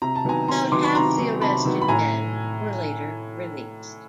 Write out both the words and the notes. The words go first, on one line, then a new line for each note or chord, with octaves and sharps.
About half the arrested men were later released.
C3 A#5
A5
D#3 F#3 B3 G#5 A#5
C3 A#5 C6
D#3 F#3 B3 C6 D6
B5 C#6
C3 A#5 C6
D#3 F#3 B3
C3 A5 B5
D#3 F#3 B3
B5
A2 G#5 A#5